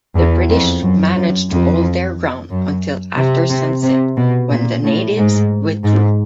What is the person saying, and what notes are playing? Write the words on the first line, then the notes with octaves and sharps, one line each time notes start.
The British managed to hold their ground until after sunset, when the natives withdrew.
E2
F2
F#2
F#2
F2
F#2
C3
C3
C3
B2
A#2
A2
G#2
G#2